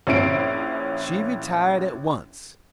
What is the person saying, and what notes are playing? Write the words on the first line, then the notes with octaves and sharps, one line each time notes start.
She retired at once.
A#1 C#4 E4 C7 D7